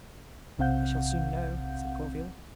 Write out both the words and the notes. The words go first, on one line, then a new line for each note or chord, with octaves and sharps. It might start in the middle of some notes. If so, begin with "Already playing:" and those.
"I shall soon know," said Gourville.
B1 C3 C4 F5 F#5 G6